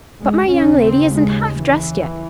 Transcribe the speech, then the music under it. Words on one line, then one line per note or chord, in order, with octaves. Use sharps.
But my young lady isn't half dressed yet.
D#2 C#3 G#3
C#4
C4
G#3
E3